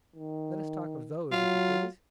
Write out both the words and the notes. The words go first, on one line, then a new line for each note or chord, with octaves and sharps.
Let us talk of those, if you please.
D#3
F#3 F4